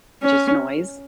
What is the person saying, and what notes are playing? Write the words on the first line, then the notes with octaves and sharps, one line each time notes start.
just, noise,
C#4